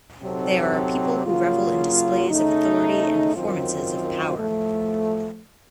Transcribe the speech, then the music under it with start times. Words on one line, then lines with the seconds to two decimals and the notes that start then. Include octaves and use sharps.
They are a people who revel in displays of authority and performances of power.
0.21 C3 F#3 C4 D#4 A4
1.26 C#3 F#3 A#3 F4
2.29 C#3 A3 D#4
3.34 F#2 D#3 F#3 C4 F4
4.38 A2 F3 A3